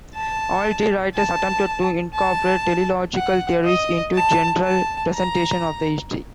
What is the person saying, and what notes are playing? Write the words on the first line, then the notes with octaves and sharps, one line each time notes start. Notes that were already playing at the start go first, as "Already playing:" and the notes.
All three writers attempted to incorporate teleological theories into general presentations of the history.
A5
A5
A5
F#5
D#5
A5
A5
A#5